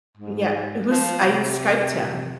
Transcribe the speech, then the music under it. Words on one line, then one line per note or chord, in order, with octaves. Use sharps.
yeah, it was I Skyped him.
G#2
F3
C3